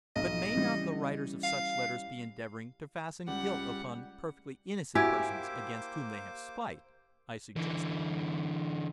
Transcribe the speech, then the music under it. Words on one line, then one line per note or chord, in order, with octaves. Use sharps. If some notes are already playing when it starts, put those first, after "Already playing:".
"But may not the writers of such letters be endeavouring to fasten guilt upon perfectly innocent persons against whom they have spite?" I suggested.
B1 D#5
C#3 E3 G3
F5
C#2 G3 F#5
A#3 E4 F#4 G4 C5 G#5 D6
D3 E3